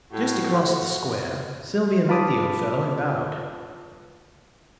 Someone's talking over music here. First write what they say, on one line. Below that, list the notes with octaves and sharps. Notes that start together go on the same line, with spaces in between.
Just across the square Sylvia met the Old Fellow and bowed.
A2 F#4
F4 B4 A5 B5 D6 D#6